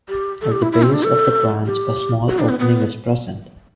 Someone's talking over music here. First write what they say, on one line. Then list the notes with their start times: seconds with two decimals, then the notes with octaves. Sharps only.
At the base of the branch a small opening is present.
0.09 G4
0.41 A4
0.52 G4
0.62 E4
0.72 E4
0.83 C4
0.93 D4
1.03 A4
1.66 G4
2.29 F#4
2.39 D4
2.49 B3
2.59 B3